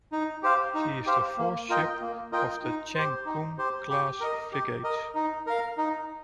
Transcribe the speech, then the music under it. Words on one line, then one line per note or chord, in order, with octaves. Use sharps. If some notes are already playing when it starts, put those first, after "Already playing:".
She is the fourth ship of the "Cheng Kung"-class frigates.
D#4
G4 C5 F5
D#4
G4 C5 F5
A#3
F4 A#4 D#5 G5
A#3
F4 A#4 D#5 G5
D#4
G4 C5
D#4
G4 C5
G4
A#4 D#5
G4
A#4 D#5
D#4
A#4 F5
D#4